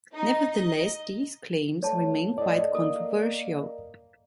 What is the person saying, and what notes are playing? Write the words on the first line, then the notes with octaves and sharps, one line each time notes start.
Nevertheless, these claims remain quite controversial.
D#4
D#5
A3 C#5 A5
A2 D5 D#5
A#3 A4